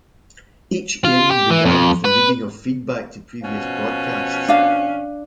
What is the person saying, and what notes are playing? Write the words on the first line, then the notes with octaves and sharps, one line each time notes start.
Each airing began with the reading of feedback to previous broadcasts.
F4
G4
E3
F2
B4
B2 F3 C#4
D4 F5